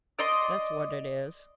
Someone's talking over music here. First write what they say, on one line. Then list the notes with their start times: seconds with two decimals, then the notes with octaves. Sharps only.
That's what it is.'
0.19 D5 D#5 C6